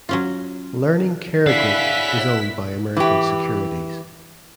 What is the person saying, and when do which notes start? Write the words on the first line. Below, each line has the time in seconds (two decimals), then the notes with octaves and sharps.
Learning Care Group is owned by American Securities.
0.09 F#3 C#4 F4
1.47 D4 E4 C#5 F5 F#5 E6 B6
2.97 E3 G4